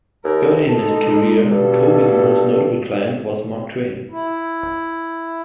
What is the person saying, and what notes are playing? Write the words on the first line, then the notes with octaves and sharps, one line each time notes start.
Earlier in his career, Colby's most notable client was Mark Twain.
D#2 A#4
G#3 D#4 A4
G2 B2 A4
E4